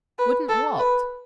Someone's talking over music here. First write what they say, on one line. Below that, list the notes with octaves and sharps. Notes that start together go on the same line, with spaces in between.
"Wouldn't what?"
B4
A4
B4